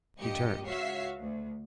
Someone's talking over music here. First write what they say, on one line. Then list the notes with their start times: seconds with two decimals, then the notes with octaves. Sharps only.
He turned.
0.17 G#1 G2 A#2 G4 D#5 C#7
0.65 C#2 F#4 C#5 E5 F5 C7
1.18 D2